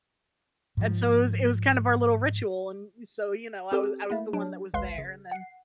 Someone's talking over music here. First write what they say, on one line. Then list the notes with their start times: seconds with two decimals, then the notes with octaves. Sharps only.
And, so, it was it was kind of our little ritual and, so, you know, I wa I was the one that was there, and then,
0.77 G#2 F3
3.72 C4 G4 A4
4.10 A3 A#3 E4
4.33 F#3 D4
4.74 G#1 C#2 B4 F5 C6
4.98 C#3
5.31 F#5 C7